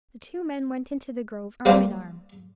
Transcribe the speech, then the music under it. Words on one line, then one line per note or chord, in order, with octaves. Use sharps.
The two men went into the grove arm-in-arm.
G3 A#3 C4 F4 C5 D5